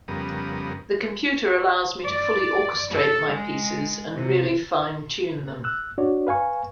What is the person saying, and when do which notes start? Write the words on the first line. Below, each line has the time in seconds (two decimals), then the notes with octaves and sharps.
The computer allows me to fully orchestrate my pieces and really fine tune them.
0.08 F2 C#3 G3 B3 A#4 D#6
2.05 D5
2.92 A4
3.32 G#3
4.16 C3
5.64 E6 F#6
5.98 D4 F#4 C#5 D5
6.27 B4 F5 G#5 C#6